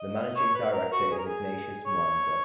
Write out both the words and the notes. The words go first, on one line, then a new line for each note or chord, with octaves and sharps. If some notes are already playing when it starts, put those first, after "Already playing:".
The managing director is Ignatius Mwanza.
Already playing: D#5
C#5
B4
A#4
F#4
G#4
A#4
G#4
C#5